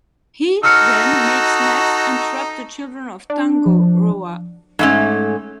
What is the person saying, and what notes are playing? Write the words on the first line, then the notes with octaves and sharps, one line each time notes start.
He then makes nets, and traps the children of Tangaroa.
D#4 F#4 A4 E6 F6 C#7
D4
F3
G#2 A3 C#4